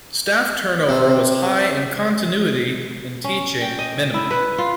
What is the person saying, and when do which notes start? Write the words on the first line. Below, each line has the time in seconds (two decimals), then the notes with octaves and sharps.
Staff turnover was high and continuity in teaching minimal.
0.89 C3
3.24 C#4
3.61 G5
3.79 D#5
4.14 E4
4.31 B4
4.58 F4